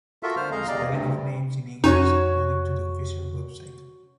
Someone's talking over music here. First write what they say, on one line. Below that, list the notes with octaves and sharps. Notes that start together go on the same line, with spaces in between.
The spelling of names in English is according to the official website.
F4 F#4 A4 A#4 E5
D3 C5 F6
F2 G#3 D#5 F5 A#5
E2 C3 D5 D#5 F5 A#5
D2 G2 C3
G3
F2 C#4 D#4 F#4 C#5